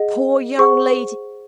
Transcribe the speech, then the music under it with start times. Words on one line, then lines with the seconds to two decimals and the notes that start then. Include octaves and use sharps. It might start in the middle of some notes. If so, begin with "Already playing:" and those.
'Poor young lady!
Already playing: G#4 D#5 F#5
0.58 G#4 C5 F#5 C#6